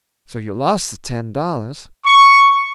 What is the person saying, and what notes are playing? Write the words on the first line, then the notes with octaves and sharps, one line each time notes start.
"So you lost the ten dollars."
C#6